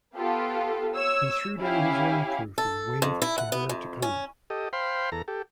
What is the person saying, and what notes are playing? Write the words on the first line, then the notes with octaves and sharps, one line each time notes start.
He threw down his rainproof and waved to her to come.
B3 F4 G4 A4
C#5 E6
C#4 E4 G4 F5 G#5
A4
F2
E4
F#5
B3
F2
C#4
G4 A4 D#5
C5 F5 G5 B5 C6
E2 A4 A#5
G4 A4